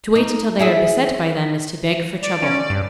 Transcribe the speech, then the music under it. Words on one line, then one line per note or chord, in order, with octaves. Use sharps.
To wait until they are beset by them is to beg for trouble.
D#4
E4 G#4 E5
D5
C#4
G2